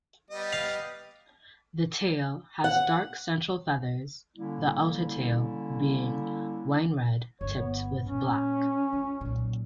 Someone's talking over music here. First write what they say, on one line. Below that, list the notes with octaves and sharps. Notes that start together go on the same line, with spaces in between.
The tail has dark central feathers, the outer tail being wine-red tipped with black.
G3 B3 D#5
F5
F#5
D3 G3 A#3 C#4 E4
G1 D4 C#5
B3
A#2 C#4
C#2
B1 A#2